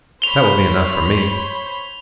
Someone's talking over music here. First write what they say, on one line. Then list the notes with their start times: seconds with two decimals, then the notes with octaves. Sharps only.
That will be enough for me.'
0.22 C5 C#5 B5 F7 G7